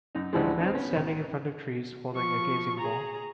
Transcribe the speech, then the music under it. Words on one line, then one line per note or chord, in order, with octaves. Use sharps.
Man standing in front of trees holding a gazing ball.
F#2 D#4
D2 A2 E3 F3 G3 G#3
C4 D#4
B3 C#4
A1
F3 C#6
G#4 A#5